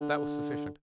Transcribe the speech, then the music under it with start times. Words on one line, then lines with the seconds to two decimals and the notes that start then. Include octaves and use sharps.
That was sufficient.
0.01 D3